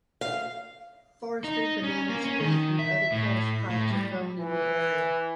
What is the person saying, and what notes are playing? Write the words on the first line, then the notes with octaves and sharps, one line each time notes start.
Forestry, bananas, wheat and other cash crops are grown in the area.
F5
D#4
C#4
A#3
C#4
D#3
E5
A2
A2
G3
E3